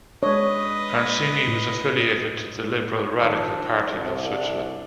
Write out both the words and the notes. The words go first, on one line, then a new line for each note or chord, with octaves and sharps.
Franscini was affiliated to the Liberal Radical Party of Switzerland.
G#3 D4 B4 C#5 D#5
A2
D#3 F3 D4 D#4
C2 D4